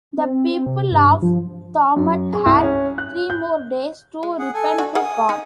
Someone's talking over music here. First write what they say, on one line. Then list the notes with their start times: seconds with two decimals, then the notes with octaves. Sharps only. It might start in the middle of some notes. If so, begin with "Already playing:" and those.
The people of Thamud had three more days to repent to God.
0.18 C4
0.66 C3
0.92 G2
1.22 F3
1.96 F#2
2.33 G#4
2.46 C2
2.62 C#4
2.98 F#6
3.30 G6
4.23 G#3
4.39 G#4 F#5
4.54 A4 G#5
4.78 D4 F#4
4.95 G#4 A#4 F#5 G#5 D#6
5.29 D#4